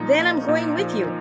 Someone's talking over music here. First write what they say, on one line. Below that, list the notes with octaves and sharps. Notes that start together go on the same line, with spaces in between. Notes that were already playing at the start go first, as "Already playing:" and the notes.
Then I'm going with you.
Already playing: A#2 F3 D#4
A#3
A#2
F3